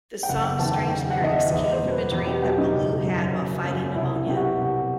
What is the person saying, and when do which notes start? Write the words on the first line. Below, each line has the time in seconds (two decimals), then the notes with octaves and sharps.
The song's strange lyrics came from a dream that Ballew had while fighting pneumonia.
0.23 G5
0.29 F#1 F#5
0.44 G5
0.59 E2 D#3 A5
0.74 G5
0.89 F#1 G5
1.11 F#5
1.20 E2 D#3 D#5
1.31 E5
1.51 E2 D#5
1.72 C5
1.81 B2 F#3
1.92 B4
2.12 E2
2.27 G4
2.42 B2 F#3 G4
2.58 D#4
2.73 F#1
3.04 F#2 F#3
3.34 F#1
3.64 F#2 F#3
3.95 C2 E4
4.16 E4
4.26 B2 F#3 G4
4.36 F#4
4.57 C2